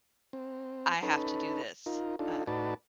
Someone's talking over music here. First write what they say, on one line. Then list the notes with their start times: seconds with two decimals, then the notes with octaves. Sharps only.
I have to do this. Um,
0.33 C4
1.03 C#4 D#4 A4 B4
1.86 D#4 F4 A#4
2.19 D4 D#4 F4 A4
2.47 A2 D#4 F#4 B4 D5 A5